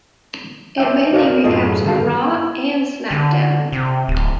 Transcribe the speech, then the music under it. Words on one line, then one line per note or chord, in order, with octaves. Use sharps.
It mainly recaps "Raw" and "SmackDown".
D4 E5 G5
D#4 F#4 A#4 C#5 D5 F5
F#2 A2 A3 F4 G#4 D#5
G2 D3 D#3 F#4 A4 F5
D3
C3
D1